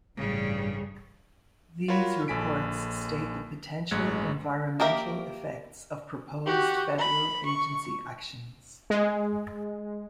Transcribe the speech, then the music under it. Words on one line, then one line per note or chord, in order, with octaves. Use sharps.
These reports state the potential environmental effects of proposed federal agency actions.
A1 G2 C#3 G3
F4 F#4 A#4 C#5 B5
A#1 A4 G#5 B6 D7
A1 G2 G#3 F#6 G#6 C#7
A#3 G4 A#4 E5
F#4 G4
B5
C#6
G#3